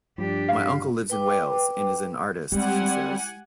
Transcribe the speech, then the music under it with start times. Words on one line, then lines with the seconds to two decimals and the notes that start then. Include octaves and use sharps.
"My uncle lives in Wales and is an artist", she says.
0.18 G2 F3 D4 G4
0.49 F5
1.10 B4 G5 D6
2.52 G3 G#3 C4 E4 G4 F#5 G#5